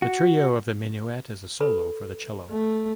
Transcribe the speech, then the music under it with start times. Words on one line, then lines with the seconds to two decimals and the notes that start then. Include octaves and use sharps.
The trio of the minuet is a solo for the cello.
0.02 F#4
1.60 A4 B4 B5
2.50 A3